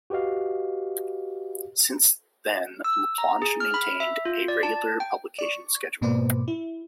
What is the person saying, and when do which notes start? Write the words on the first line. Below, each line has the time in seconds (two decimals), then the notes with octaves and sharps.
Since then, Laplanche maintained a regular publication schedule.
0.10 F#4 G4 B4 D#5 F5
2.84 E6
3.18 A#5
3.42 G#4
3.60 F6
3.74 B5
4.00 E5
4.25 F4
4.48 D5
4.63 A5
5.00 G5
5.39 D5 C#6
6.01 G#2 B2 A#3 B4 C5 D5
6.48 E4